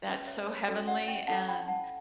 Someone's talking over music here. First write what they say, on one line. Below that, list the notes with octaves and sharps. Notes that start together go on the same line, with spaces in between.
That's so heavenly and,
C#4 G4 B4
C#5 E5
C#5
C#4 F#4 A4 C#5 D5
D5 F#5
E5 G5
C#4 E4 A4 C#5 F#5 A5
G5 B5
F#5 A5